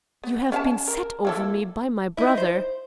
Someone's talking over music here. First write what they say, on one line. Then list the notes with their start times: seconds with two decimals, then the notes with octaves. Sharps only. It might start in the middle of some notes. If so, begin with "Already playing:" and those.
You have been set over me by my brother.
0.24 B3
0.52 C#4 F5 A5
0.88 A#4
1.25 A#3 E4 A4
2.17 D#4 E4
2.37 C5